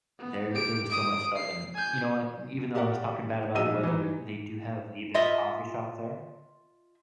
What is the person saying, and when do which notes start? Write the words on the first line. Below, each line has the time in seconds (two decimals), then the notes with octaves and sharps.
there there was so much stuff, and you know what? Even though I was talking bad about the weather, they do have the best coffee shop there.
0.19 B3
0.53 G4 D7
0.90 D#6 D7
1.36 C7
1.75 G#5 G6
2.75 F#4 G4 A#4 D5 F#5
3.55 A#1 F#3 D#4 D#5 E6 D#7
3.83 E3 D#4
5.14 F4 D#5 E5